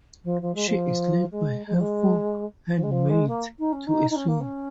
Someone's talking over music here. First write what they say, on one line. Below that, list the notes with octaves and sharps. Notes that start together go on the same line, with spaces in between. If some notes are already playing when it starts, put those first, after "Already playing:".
She is led by her four handmaids to a swing.
F3
F3
G#3
F3
G#3
G#3
F3
G#3
F3
G#3
F3
G#3
A#3
D#4
C#4
D#4
D#4
C#4
A#3
C#4